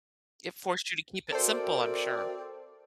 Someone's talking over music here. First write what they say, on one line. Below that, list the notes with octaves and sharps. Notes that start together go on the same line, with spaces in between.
It forced you to keep it simple, I'm sure.
C4 F#4 A4 A#4 C5 D5 E5 G5